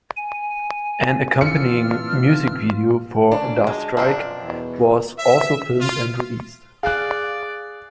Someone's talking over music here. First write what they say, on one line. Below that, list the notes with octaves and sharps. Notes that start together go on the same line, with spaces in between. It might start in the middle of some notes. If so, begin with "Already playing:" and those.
An accompanying music video for "Da Strike" was also filmed and released.
G#5
E3 C4 D4 F4 E6 F6 C#7
D3 A#3 C#4 D4
G#3 F#4 C5
F#2 B2 F3 C4 D4
E2 B2 E3
E5
F4
G#4 D5 F5 F#6